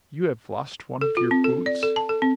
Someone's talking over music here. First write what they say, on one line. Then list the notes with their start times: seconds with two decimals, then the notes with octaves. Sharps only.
"You have lost one of your boots?"
1.01 A4
1.17 F4
1.31 C4
1.44 A4
1.66 D5
1.83 A4
1.96 A5
2.09 A4
2.22 C4